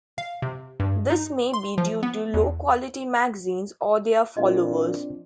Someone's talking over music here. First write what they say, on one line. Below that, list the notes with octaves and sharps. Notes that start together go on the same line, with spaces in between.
This may be due to low quality magazines, or their followers.
F5
C3
G2
D#4
C6
F3
B3
E2
A#2 F3 C4 D4 F4 D#5